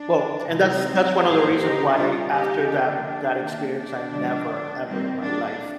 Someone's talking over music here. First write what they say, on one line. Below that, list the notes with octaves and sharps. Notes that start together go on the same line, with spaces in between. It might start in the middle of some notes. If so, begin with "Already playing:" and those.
Well, and that's that's one of the reasons why after that that experience, I never ever in my life
Already playing: D4
C3 D#3 G#3 C4 D#4
A#2 G3 A#3 G#4 C5
D#4 G4
A#2 G3 A#3 D4 F4
D#4 G4
D3 F3 A#3 D4
D#3 A#3
D4
D3 F3 G#3
D#3 G3 A#3 C4
D4